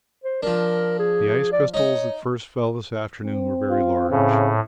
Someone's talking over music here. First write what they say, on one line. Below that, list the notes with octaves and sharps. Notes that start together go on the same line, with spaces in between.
The ice crystals that first fell this afternoon were very large.
C5
F3 D4 A#4
G#4
D5
D#4 C#5 D#5
C4
F4
A2 C#3